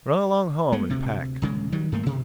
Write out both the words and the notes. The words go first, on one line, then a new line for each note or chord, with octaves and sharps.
Run along home and pack.
G#3 A3 B3
D2 C3
D#1 C#3 G#3
D#3 F#3 G3
G2 A3 A#3
B2